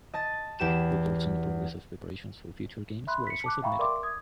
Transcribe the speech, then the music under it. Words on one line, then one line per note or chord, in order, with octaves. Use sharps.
Reports on the progress of preparations for future Games were also submitted.
D#5 A5 A6
E2 G4 E7
E5 B5 C6 F#6
B6 C#7
A5 D6 F#6
E5 F5 G5 A#5 B5 C#6
A#4 D5 E5 C6 D6
D#6 G#6